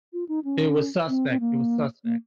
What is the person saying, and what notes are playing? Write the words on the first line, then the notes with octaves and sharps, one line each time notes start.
It was suspect, it was suspect.
F4
D#4
C#4
C4
C4
A#3
A#3